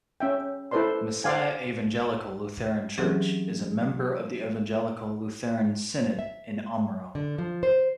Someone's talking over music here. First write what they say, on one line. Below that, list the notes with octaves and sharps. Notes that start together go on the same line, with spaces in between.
Messiah Evangelical Lutheran Church is a member of the Evangelical Lutheran Synod in Omro.
C#4 E5 G5
E4 A4 B4 C5 D5 C6
C5 D5 F5 G#5
E3 F#3 C4 C#4 G4 G#4
E5
D3
F3
C5